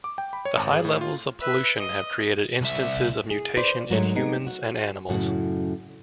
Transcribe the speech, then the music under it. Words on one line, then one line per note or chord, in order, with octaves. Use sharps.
The high levels of pollution have created instances of mutation in humans and animals.
D6
G5
B5
C#5
G#1
G#4
A2
F4
B4 E5
D#5
C2 E5
G#4
B4 C5 D5
G#2 F#3 A3 A#4 C#5
B3 D#4 G#4
F#4
F#2 A2 C#3 F#4